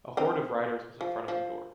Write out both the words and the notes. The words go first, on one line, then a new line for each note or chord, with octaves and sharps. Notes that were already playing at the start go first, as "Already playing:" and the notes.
A horde of riders was in front of the door.
C4 D#4
F3
F3